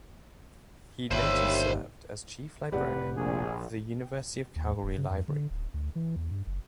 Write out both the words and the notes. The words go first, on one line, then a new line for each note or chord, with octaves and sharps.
He later served as chief librarian of the University of Calgary Library.
G1 D#2 C4 C5 C#5 E5 B5
F1 A2 C3 G4 B4 D5 F#5
A#1 G#4
D#2
D#1
C#3
F2
D3
D1
D2
E3
E2
G2
F#1